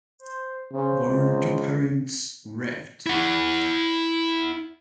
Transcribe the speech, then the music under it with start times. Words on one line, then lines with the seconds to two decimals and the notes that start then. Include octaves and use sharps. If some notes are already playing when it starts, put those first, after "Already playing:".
Born to parents Revd.
0.19 C5
0.72 C#3 C5
1.07 C#2
3.06 E4 F#5